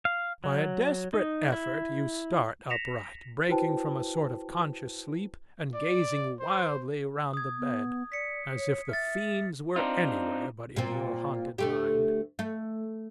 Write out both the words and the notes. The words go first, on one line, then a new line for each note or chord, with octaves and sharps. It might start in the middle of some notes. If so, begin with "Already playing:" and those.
By a desperate effort you start upright, breaking from a sort of conscious sleep and gazing wildly round the bed, as if the fiends were anywhere but in your haunted mind.
F5
F#3
D#4
E4
A#6 B6 C#7 E7 F7
E4 F#4 B4 C5 G5 A5
D5
C5
D#6 G#6
B3
D5 B6 C#7
C#5
E5 F6 A6
C4 D4 D#4 F4
A#2 C4
D2 A3 G4
A3